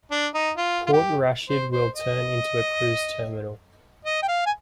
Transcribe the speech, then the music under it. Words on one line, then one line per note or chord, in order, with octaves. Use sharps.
Port Rashid will turn into a cruise terminal.
D4
D#4
F4
F4
G4
C5
C5
D#5
D#5
G5
F5
G#5